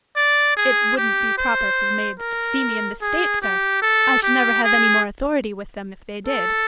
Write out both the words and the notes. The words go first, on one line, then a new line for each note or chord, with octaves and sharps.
It wouldn't be proper for the maids to see me in this state, sir; I should never have any more authority with them if they did.'
D5
G#4
G4
C5
A#4
G#4
G4
A4
G4
G#4
A4